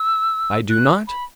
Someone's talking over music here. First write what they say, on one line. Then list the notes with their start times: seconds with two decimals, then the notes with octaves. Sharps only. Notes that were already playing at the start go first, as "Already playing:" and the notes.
I do not.
Already playing: E6
0.70 F#6
1.07 B5